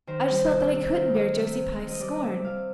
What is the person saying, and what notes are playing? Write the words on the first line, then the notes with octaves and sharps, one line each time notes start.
I just felt that I couldn't bear Josie Pye's scorn.
D#3 C5
G3
C3
C3
D#3
G3
C3
C3
D#3
D#5
G3 D5
D#5
C3 E5
C3 F5